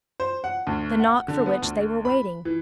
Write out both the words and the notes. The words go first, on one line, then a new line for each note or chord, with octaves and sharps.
The knock for which they were waiting!
C5
F#5
D2
F#5
D3
B3
D2
B5
E3